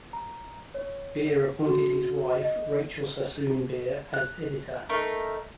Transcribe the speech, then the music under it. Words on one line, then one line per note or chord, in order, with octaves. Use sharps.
Beer appointed his wife, Rachel Sassoon Beer, as editor.
A#5
C#5
F#4
D#5
F#6
A3 D#4 A#4 E5